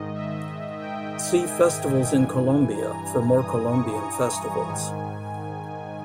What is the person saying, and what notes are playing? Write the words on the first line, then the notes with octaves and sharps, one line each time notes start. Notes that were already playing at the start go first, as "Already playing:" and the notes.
See Festivals in Colombia for more Colombian festivals.
Already playing: G#2 D#3 D#5
E5
G5
G#5
G2 E3 G#5
A#5
D#6
C#6
A#5
G#2 D#3 G#5